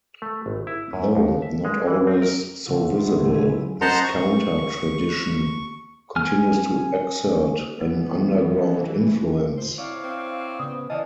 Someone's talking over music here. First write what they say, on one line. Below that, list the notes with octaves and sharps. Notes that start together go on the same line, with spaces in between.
Though not always so visible, this counter-tradition continues to exert an underground influence.
A3
G#1
E4
F#2
D#2
E5
G#3
E3
C4
A#4
C#3 F4 F#4 A4
G#1 B3 F4 E5 C6
D#2 A#2 D3 F#3 G#3
F#1 E4 A4 G#5 B6
C5 D#5 F#5 A5 A#5 C6
C#6
G#5 F6
E3 B3
C5
C4 E4 C#5 D5 F5
C4
C#3 B3 D#6
E3 D5 D#5 F5 G#5 A5 D#6